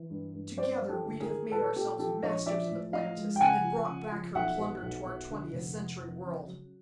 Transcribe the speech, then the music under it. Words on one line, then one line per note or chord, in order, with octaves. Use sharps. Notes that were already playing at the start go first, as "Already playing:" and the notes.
Together we'd have made ourselves masters of Atlantis and brought back her plunder to our Twentieth Century world.
Already playing: E3
G2
G2
G3 C5 D5
G3
G4 A4
G1
G#4 A#4
D#3
A#2 A4 B4
A#2 G4 A4
F3 G4 A4
A#1 C#5 D#5
F3 D5 E5
A2
F3 D#5 F5
G#3
G5
C#3 F#5 G#5
F3
C#3
F3
B1 E5 F#5
B2
B1
B2
D3
F1
F1
F2
C#3
F#3